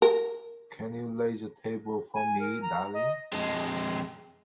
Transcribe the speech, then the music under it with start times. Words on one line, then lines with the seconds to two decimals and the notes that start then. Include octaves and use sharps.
Can you lay the table for me, darling?
0.02 A#4
2.14 G#5
2.39 A#4
2.62 A#5
2.93 D#5
3.33 F2 G#3